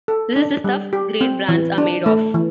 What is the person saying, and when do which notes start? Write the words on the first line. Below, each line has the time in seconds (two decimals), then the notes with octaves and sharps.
This is the stuff great brands are made of.
0.08 A4
0.36 D4
0.64 G3
0.93 G4
1.21 C4
1.49 E3
1.78 D4
2.06 A3
2.34 E3